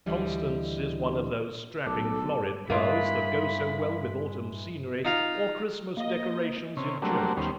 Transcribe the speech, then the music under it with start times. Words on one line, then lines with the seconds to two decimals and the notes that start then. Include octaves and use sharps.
Constance is one of those strapping florid girls that go so well with autumn scenery or Christmas decorations in church.
0.06 D2 D3 E3 G3 D#5
1.86 B1 A4 D6
2.70 G2 E3 G#3 A#3 F4 B5
5.05 D#4 F4 F5
5.97 A#3 D#5
6.77 C3 C#4
7.02 F#3 G3 A3 A#3 C4 D4
7.37 D#2 G3 B3 C#4 C5